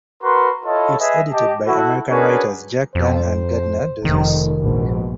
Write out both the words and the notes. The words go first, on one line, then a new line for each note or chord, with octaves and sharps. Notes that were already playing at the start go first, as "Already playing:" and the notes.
It is edited by American writers Jack Dann and Gardner Dozois.
F#4 A#4 B4 C6
E4 F4 A4 C#5 D#5
G#4 B4 D#5 E5 G#5
G4 D#5 A5
E4 F#4 A4
C#4 D4 F#4 G#4 A#4 B4
F2 C5
F1 D#3
A#1 G#2 B2